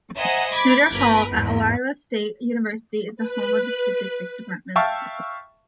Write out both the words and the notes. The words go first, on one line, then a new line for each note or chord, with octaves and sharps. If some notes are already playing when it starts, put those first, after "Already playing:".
Snedecor Hall, at Iowa State University, is the home of the Statistics Department.
C5 D#5 E5 F#5 G#5 A#5
B5 D6 G#6 B6
G1 A#4 B4 B6
E2 G#2
B4 F#6
E5 F5 G5 A5 C#6